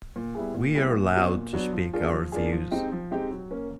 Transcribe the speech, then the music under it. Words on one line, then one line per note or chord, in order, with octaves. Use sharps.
We are allowed to speak our views.
A#2
G3 B3 E4 G#4
A#2
G3 B3 E4 G#4
A#2
F#3 B3 D4 F#4
A#2
F#3 B3 D4 F#4
F3
A#3 D4 F4 G#4
F3
A#3 D4 F4 G#4
F3
G#3 C4 D#4 G4
F3
G#3 C4 D#4 G4
F#3
A#3 C#4